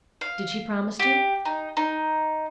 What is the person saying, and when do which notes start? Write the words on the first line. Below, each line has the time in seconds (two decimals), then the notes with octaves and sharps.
"Did she promise to?"
0.21 F5
0.99 G4
1.45 D#4
1.77 D#4